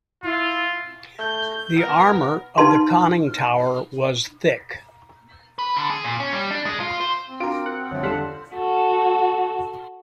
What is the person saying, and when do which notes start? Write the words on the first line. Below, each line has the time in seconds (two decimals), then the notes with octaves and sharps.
The armour of the conning tower was thick.
0.24 E4 F4
1.19 A3 G6
1.76 B3 A#4
2.58 D#4 B4 A5 C6
5.59 B4
5.76 D3
5.90 G#4
6.04 A#2
6.20 C#4
6.33 G3
6.51 D4
6.66 G#3
6.80 F4
7.01 C5
7.28 C4
7.40 D4 F4 F#4 A#4 D6 D7
7.66 A#4 F#5
7.91 G1 F2 C#5 E5
8.03 D3 G3 A4 F5 F#5 C6 B6 E7
8.54 F#4 A4